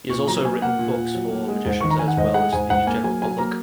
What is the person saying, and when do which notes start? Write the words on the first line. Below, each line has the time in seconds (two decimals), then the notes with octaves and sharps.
He has also written books for magicians as well as the general public.
0.09 A#2 C#6
0.27 F#3 A#5
0.44 A#3 G#5
0.62 A#3 F#5
0.79 A#2
0.96 A#2
1.14 F#3
1.30 A#3
1.48 G#3
1.65 G#2
1.81 D#3 C#6
1.90 A#5
1.99 D#3 G#5
2.08 F#5
2.17 G#2 D#5
2.34 G#3 F#5
2.53 G#2 G#5
2.70 G#2 F#5
2.87 A#3 G#5
3.04 F#3 G#5
3.21 F#3 G#5
3.38 A#3 A#5